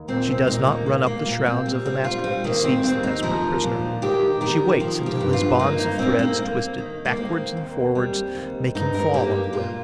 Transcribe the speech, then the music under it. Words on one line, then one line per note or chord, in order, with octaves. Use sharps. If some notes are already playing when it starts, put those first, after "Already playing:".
She does not run up the shrouds of the mast-work to seize the desperate prisoner; she waits until his bonds of threads, twisted backwards and forwards, make him fall on the web.
Already playing: D#2
A#2 C4
C4
A#2 D#4
A#3
A#3
A#3
A#2 A#3
C4
G3
C4
G3 F4
C4
D#3 A#3
C4
D#2 C4
D#4
F3 A#4
A#2
D#3 G4
D#3 A#4
F3 A#4
G4
G2
F4
A#3 D#4
D#4
A#3 C4
A#3
A#3
D#3
A#3
A#3 C4
D#2
G3
D#2
G2 D#4
A#4
A#3 G4
A#2 F4